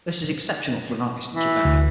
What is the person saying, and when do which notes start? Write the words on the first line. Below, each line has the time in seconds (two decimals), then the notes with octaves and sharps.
This is exceptional for an artist in Quebec.
1.33 E3
1.65 D2